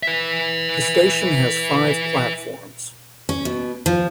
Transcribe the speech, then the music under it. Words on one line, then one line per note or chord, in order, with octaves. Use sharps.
The station has five platforms.
B4 E5
C#4
B2
F3